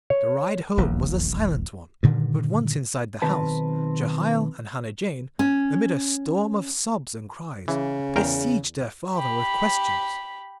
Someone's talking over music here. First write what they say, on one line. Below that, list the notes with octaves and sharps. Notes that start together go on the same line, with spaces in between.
The ride home was a silent one; but once inside the house, Jehiel and Hannah Jane, amid a storm of sobs and cries, besieged their father with questions.
C#5
D#1 A#1 E2
G2 A#2 D3 D#3
B1 D#3 C4 B4 A5
C#4
C#3 E3
E2 A#4 G5
G4 B5